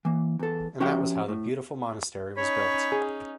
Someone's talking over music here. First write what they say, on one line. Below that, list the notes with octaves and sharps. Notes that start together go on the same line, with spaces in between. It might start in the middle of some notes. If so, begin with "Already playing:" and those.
And that was how the beautiful monastery was built.
E3 A#3
E2 A4
F3 C#4 F#4 G4 E5 G5
A2
C#4 D#4 C#5 B5
G#4